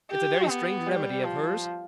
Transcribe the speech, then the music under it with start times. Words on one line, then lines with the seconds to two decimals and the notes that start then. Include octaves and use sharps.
It's a very strange remedy of hers.
0.11 G4
0.49 B3
0.87 G3
1.24 F3